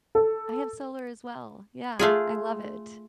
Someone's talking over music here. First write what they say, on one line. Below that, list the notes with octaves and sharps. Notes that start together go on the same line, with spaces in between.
I have solar as well, yeah, I love it.
A4
A3 F4 G#4